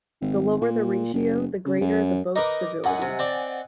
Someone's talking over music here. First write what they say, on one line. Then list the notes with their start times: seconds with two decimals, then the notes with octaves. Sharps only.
The lower the ratio the greater the boat's stability.
0.21 G#1
0.61 A#2
1.13 F#1
1.66 C#3
1.81 F#2
2.36 D#4 A#4 B4 D#5 D6
2.84 F#2 D#5 F#5 G#5
3.02 C3
3.19 C4 D5 A5